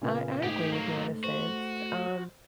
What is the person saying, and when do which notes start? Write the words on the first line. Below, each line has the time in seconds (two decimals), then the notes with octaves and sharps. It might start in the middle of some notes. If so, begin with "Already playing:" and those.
I I agree with you in a sense, um,
0.01 A#2 C#3 B3
0.43 G#2 A3 G4 G#4
0.72 F#3 A#3
1.24 F#4 C5